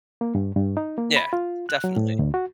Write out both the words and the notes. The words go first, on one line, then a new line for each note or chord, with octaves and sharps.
Yeah. Definitely.
A#3
G2
G2
D#4
A#3
B5
F4
F#6
F#3
A2
D2
F#4